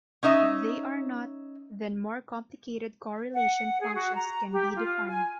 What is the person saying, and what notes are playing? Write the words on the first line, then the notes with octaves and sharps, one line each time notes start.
If they are not, then more complicated correlation functions can be defined.
C#4 D#4 D#5 E5
F#5
G#4
F#4
A#5
G4
F4
G#5